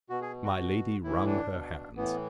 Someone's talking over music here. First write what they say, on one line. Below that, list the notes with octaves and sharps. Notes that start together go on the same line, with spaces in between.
My Lady wrung her hands.
B2 F#4
G#4
F#4
B2
A2 E3 E4
D4
B2
A2 E3 B3